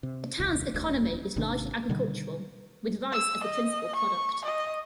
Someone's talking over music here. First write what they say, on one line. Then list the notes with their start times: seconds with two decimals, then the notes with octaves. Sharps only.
The town's economy is largely agricultural, with rice as the principal product.
0.03 C3
0.40 D#1 C2
0.74 E1 D2 D3
1.36 G#1 C3 D#3 D4
1.89 B2 D3 D#3 G3
3.12 E6
3.45 D#5
3.96 C#6
4.45 D#5